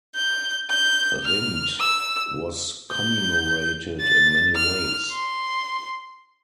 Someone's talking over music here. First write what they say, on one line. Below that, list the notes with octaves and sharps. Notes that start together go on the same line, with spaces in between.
Rindt was commemorated in many ways.
G6
G6
F6
E6
G6
A6
F6
C6